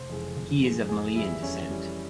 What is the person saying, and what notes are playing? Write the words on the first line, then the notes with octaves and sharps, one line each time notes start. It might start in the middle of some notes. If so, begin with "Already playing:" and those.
He is of Malian descent.
Already playing: F1 C5
F2 C#3 E3 G#3
F1
F2 C#3 E3 G#3
F2 G#4
E3 G3 E4
F2 C#4
E3 G3